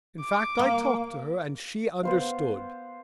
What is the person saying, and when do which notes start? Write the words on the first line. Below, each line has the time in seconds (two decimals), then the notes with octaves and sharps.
In fact, I talked to her and she understood.
0.21 D6
0.59 A#3
2.03 B3 C5 F5